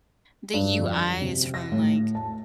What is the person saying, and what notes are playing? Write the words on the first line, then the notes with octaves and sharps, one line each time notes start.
the UI is from, like,
G2
F2
C3
A#6
A2
A5